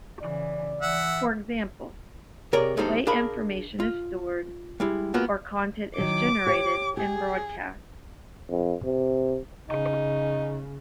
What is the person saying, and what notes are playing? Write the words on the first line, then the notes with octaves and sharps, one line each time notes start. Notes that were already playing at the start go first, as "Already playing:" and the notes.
For example, the way information is stored, or content is generated and broadcast.
C#3 E3 D5
E3 E5 F#5
C3 G#4 A#4 C#5 D5 A#5
E2 G2 G#3 D#4 A4 C5
D4 G#4 A#4 F5 B5
F4
G3 G#3 E4
G#3 A#3 B3 F4 F#4
D#3 F#3 D6
G4 C#5
G4 G#4
F2
C3
C#3 D#4